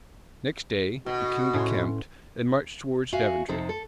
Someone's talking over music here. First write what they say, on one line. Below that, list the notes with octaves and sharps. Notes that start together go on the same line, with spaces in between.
Next day, the king decamped, and marched towards Daventry.
B2 F#4
A2 C#4 C6
F#4 E5 F5 G#5
F2 C3 D#4 A4 C5
A4